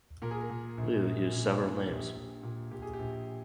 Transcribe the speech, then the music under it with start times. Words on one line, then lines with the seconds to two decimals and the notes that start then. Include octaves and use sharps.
Liu used several names.
0.22 A#2 A#4
0.31 G#4
0.41 A#4
0.50 A#2
0.78 A#1
1.05 A#1
1.32 A#2
1.60 A#2
1.88 A#1 G4
2.16 A#1
2.43 A#2
2.71 A#2 G4
2.82 G#4
2.93 G4
2.99 A#1